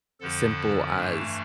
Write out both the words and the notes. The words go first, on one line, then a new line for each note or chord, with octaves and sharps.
simple as
F2 D3 F3 A4
G2 E3 A3 D4